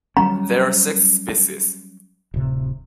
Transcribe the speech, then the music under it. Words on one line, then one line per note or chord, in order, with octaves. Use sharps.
There are six species.
F#3 G3 C#4 A#5
D1 C3